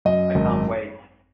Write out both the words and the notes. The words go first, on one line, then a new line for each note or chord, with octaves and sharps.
I can't wait!
F#2 D#5
G#1